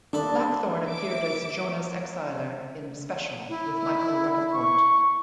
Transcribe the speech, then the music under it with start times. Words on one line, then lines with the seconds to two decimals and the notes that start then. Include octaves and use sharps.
Blackthorne appeared as Jonas Exiler in "Special", with Michael Rapaport.
0.13 D#2 D4 A4 B5
0.86 E5 D6 D7
3.49 E4
4.54 C#6